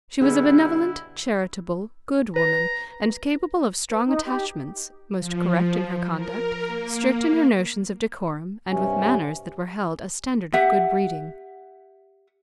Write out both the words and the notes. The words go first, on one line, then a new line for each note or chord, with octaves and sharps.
She was a benevolent, charitable, good woman, and capable of strong attachments, most correct in her conduct, strict in her notions of decorum, and with manners that were held a standard of good-breeding.
B2 D3 G3 E4 G#4
B4 A#5
B4
D#4
G4
F3
A#4
A#3
G2 C3 C#4
G4 E5 F#5